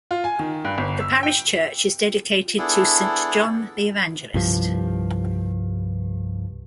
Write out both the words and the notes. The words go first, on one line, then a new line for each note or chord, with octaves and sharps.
The Parish Church is dedicated to Saint John the Evangelist.
F4
G#5
D#3
G2
G1
E6
G5
B3 D4 E4 G#4 A4
C2 G2 F3